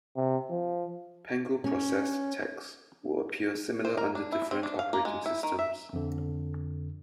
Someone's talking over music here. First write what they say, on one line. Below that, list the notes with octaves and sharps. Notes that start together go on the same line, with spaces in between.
Pango-processed text will appear similar under different operating systems.
C3
F3
C#4
C5
A#4
D4
E4
C4
D4
F5
A#3
G#3
E4
D#3
E5
F2 D3